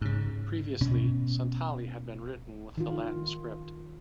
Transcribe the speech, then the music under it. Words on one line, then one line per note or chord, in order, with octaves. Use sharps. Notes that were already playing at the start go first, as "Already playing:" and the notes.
Previously, Santali had been written with the Latin script.
G#2 C#3
B2 C#4
D#3 F4